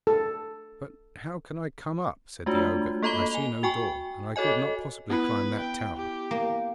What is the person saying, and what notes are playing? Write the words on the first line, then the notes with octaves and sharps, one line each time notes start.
'But how can I come up?' said the ogre, 'I see no door, and I could not possibly climb that tower.'
A4
G#3 A3 D4 F4 F#4
A#3 A4 D#5 A#5 B5 G7
G#5 F7
F#4 G5 G#5 C#6
F#4 A4 C#5 D#5 G#5
B3 E4 B4
G5
G4
A#3